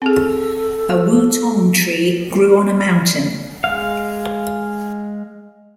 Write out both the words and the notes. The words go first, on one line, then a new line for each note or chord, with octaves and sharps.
A wutong tree grew on a mountain.
C4 G#4 A4
G#3 F5